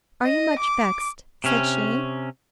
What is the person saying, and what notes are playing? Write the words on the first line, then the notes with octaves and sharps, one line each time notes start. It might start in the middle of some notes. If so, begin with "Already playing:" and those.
'Are you much vexed?' said she.
D#5
D6
C3 C#4